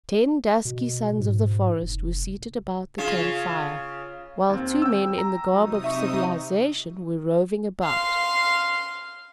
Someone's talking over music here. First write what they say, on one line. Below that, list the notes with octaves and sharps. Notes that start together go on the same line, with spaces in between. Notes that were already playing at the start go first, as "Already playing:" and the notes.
Ten dusky sons of the forest were seated about the camp fire, while two men in the garb of civilization were roving about.
B2
G#2
F1
C#3 F4
D#2 C4
G5 E6
A#5
C3 F#3 D#4 D#6
E5 C#6
F5 C6